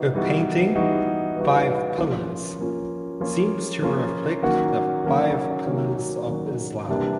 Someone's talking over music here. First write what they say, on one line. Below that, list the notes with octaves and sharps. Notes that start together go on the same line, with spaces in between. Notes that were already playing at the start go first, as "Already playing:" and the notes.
Her painting "Five Pillars" seems to reflect the Five Pillars of Islam.
Already playing: E3 G3 B3 D#4 F#4
E3 G3 B3 D#4 F#4
E3 G3 B3 D#4 F#4
E3 G3 B3 D#4 F#4
F3 A#3 C#4 F4
F3 A#3 C#4 F4
F3 A#3 C#4 F4
F3 A#3 C#4 F4
D#3 F#3 A#3 C#4 F#4
D#3 F#3 A#3 C#4 F#4
D#3 F#3 A#3 C#4 F#4
D#3 F#3 A#3 C#4 F#4
C3 E3 G3 A#3 D4